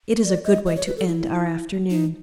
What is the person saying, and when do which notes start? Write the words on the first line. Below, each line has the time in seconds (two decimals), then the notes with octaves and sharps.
"It is a good way to end our afternoon."
0.24 D5
0.45 D#5
0.66 D#5
0.76 C#5
0.86 B4
0.97 A4
1.08 E4
1.90 D#4